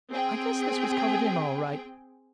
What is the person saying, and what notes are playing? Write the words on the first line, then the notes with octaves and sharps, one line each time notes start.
I guess this was covered in all right.
C4 G#4 G5